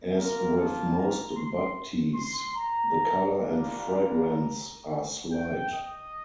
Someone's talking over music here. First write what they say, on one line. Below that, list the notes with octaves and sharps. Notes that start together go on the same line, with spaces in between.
As with most bud teas, the color and fragrance are slight.
A#3 F4 A#4
A5
A#5
C6
C6
A#5
G3 A#3 D4 F4 A#5
G5
D#5